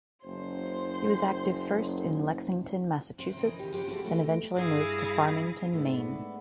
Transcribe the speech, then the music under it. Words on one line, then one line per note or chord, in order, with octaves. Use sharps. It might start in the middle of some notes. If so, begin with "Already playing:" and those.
He was active first in Lexington, Massachusetts, then eventually moved to Farmington, Maine.
F#1 C5
C3 C4
D#2 E3 D#5
C#3 G4
F4 G4 B4 C5 F#5
G#3 C4 E4 F#4 G4 A4
A3 G4 D#5
G2 E4 G#4 F5 A#6
G#2 A3 B3 D4